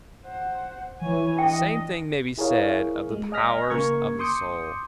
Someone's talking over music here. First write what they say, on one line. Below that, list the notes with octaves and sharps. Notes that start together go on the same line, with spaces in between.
The same thing may be said of the powers of the soul.
C5 F#5
E3 C#5 G#5
D4 D#5 G5
E4 G#4 A#4 C#5 F5
G#3
D#5 G#5 F6 A#6 B6
C#3 A#3 A#4 C#6 G#6
C6 D6 D#6 G6 C#7